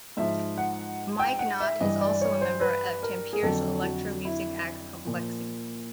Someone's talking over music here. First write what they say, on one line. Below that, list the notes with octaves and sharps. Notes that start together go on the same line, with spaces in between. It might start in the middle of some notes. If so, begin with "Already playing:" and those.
Mike Not is also a member of Tampere's electro music act Kompleksi.
G#2 F3 E5
F#5
G5
F#5
E5
G2 E3 D#5
D5
C#5
C5
B4
A#4
G#4
F2 D3 F#3 A4
F#4
E4
A#2 F3